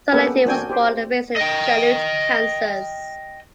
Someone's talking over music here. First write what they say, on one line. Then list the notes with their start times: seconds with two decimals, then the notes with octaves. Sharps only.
Osa Leighty was born and raised in Chanute, Kansas.
0.12 A#3 B3 C#4 G4 A4 B4
0.45 A#3 C4 D4 F#4 G5 G#5
0.69 G4 C5
1.36 D#5 G5